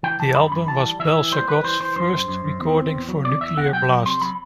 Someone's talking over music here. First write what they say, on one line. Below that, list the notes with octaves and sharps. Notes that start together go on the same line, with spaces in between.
The album was Bal-Sagoth's first recording for Nuclear Blast.
E3 G5
E3 A5
F#2 B5
F#2 B5
E3 A5
G3
E3 E5
E3
G3 C5
G3 B4
E3 C5
E3 C5
F#2 C5
F#2
F#2
F#2
E2
C4
E2
F#3
C3 D5
E2 E5
E2 F#5
F#3 G5
F#3
C3 C6
F#3 B5